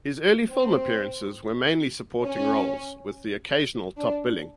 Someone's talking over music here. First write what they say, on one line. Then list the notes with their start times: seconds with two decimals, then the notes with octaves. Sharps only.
His early film appearances were mainly supporting roles, with the occasional top billing.
0.51 C4
2.25 C#4
3.98 D4